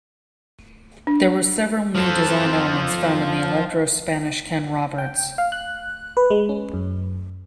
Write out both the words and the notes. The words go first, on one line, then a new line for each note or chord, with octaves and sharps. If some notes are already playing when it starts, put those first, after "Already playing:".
There were several new design elements found on the Electro Spanish Ken Roberts.
D4
F3 A4
G5
F5
F#6
B4
G#3
C#4
F#2